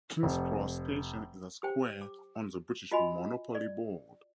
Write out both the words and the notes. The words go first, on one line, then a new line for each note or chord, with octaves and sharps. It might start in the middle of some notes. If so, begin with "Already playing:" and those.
King's Cross station is a square on the British "Monopoly" board.
F1
G4 C5 G5
D6
F4 F#4 D#5 G#5 B5
D5